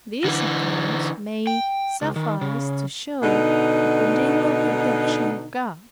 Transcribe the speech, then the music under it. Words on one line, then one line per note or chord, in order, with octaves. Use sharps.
These accounts may suffice to show the continual protection of God.
D3 E3
G5
C#2
D#3
C#3
B2 D3 D#4